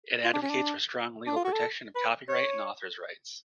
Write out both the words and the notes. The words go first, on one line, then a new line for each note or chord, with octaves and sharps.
It advocates for strong legal protection of copyright and authors' rights.
F4
D4
C#4
D4
D4
F4
F#4
A4
B4
C#5